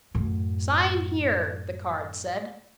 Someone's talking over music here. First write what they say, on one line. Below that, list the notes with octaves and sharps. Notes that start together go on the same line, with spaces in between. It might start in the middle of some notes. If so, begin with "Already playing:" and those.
Sign here, the card said.
F#2 A2